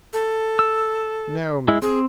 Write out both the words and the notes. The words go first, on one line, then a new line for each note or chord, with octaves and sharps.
"No, madam."
A4
E6
G#3 E4
C4 G#4